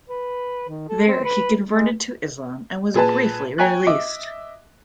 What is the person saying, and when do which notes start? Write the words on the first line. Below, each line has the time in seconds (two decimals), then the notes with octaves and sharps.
There he converted to Islam and was briefly released.
0.09 B4
0.69 D#3
0.89 A4
1.08 C4
1.24 B4
1.72 G#3
2.94 A#2 G#4 B4 A5
3.58 C#5 G5 G#5 A#5 C#6 F#6
3.87 D#5 E5 D6